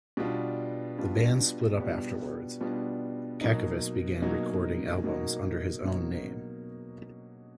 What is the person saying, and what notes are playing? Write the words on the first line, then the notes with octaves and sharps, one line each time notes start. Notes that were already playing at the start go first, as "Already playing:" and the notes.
The band split up afterwards; Cacavas began recording albums under his own name.
B2 G3 B3 D4 F4
B2 G3 B3 D4 F4
B2 G3 B3 D4 F4
B2 G3 B3 D4 F4
B2 F#3 A#3 D#4
B2 F#3 A#3 D#4
B2 F#3 A#3 D#4
B2 F#3 A#3 D#4